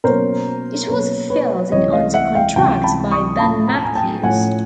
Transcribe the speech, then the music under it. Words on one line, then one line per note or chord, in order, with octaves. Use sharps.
It was filled in under contract by Ben Mathews.
B2 F#3 A#3 C#4 A#4 C5
B2 F#3 A#3 C#4 B4 C#5
B4 C#5
C#2 C3 E3 G3 C4 C#5 D#5
D#5 F5
E5 F#5
F5 G5
C#2 C3 E3 G3 C4 G5 A5
A5 B5
C#6 D#6
A2 F3 A3 C#4 A5 B5
A#5
A5
G#5 A#5
G5 A5
A2 F3 A3 C#4 F#5 G#5